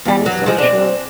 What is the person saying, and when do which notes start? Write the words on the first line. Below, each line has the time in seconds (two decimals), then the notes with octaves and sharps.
That is so true.
0.05 E2 G3
0.25 G2 F#3
0.46 F3 G#3
0.58 C4 D4